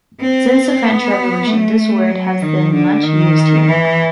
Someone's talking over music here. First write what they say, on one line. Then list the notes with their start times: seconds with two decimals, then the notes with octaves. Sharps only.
Since the French Revolution this word has been much used here.
0.21 C4
0.84 B3
1.47 A3
2.10 F#3
2.42 D#3
2.73 D3
3.05 D#3
3.69 E3